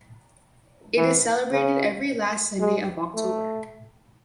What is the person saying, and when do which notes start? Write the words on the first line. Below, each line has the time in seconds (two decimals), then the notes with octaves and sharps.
It is celebrated every last Sunday of October.
0.97 E3
1.52 C#3
2.60 G#3
3.14 A3